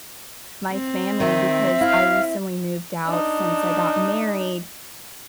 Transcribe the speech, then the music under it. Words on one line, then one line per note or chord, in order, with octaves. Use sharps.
my family because I recently moved out since I got married,
C4
D#3 E5
E4 F5
D4 D#4